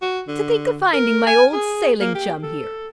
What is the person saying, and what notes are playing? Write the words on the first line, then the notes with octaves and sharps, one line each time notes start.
To think of finding my old sailing chum here!
F#4
D3
A#4
G#5
G#4
A#3
G4
A4